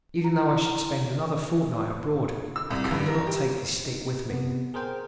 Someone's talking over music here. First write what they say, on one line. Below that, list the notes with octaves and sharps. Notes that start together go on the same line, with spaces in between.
Even though I should spend another fortnight abroad I could not take this stick with me.
E4 A#5
E6
C2
G2
A#4
G4
D#4
C3 B3
G#4 A#4 C5 G5